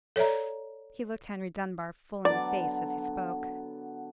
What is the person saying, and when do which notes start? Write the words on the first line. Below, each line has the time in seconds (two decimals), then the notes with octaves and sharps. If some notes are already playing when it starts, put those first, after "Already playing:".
He looked Henry Dunbar full in the face as he spoke.
0.16 A4 C#5 D5 E5 A#5
2.25 D3 F#3 B3 D5